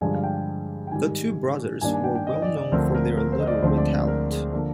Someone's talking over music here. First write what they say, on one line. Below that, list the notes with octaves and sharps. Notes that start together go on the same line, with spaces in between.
The two brothers were well known for their literary talent.
G2 D3 F3 G#3 D4 G#5
F5
G5
G5
G#2 D#3 G3 G#5
G2 D#3 A#3 D4 G#5
G#5
G5
G5
D#5
D5
D5
D2 D3 F3 C4 A#4
A#4
A#4
C5
D#5
D5
D2 D3 F3 G#3 C4 C5
D5
D5
A#4
G#4
D3 F3 A#3 D4 A#4